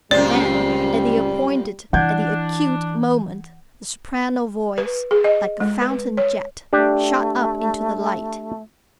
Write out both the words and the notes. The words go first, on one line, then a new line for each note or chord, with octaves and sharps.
Then at the appointed, at the acute, moment, the soprano voice, like a fountain jet, shot up into the light.
C#2 F#2 A#2 G3 C4 D5
E3 D4 F#5 G6 G#6
B4
G#4
D#5
G#3
B4
C#5
A3 D4 G4 D5